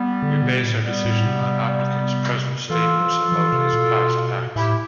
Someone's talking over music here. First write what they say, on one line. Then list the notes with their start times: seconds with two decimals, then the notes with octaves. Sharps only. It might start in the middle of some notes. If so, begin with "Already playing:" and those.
We base our decision on applicant's present statements about his past acts.
Already playing: G3 B3
0.23 D3
0.42 B2
0.64 A2
0.84 G3 B3
1.05 A2
1.26 C3
2.69 E3 F4 A4
3.00 F3
3.32 E3
3.53 C3
3.73 B2
4.55 A2 E4 G4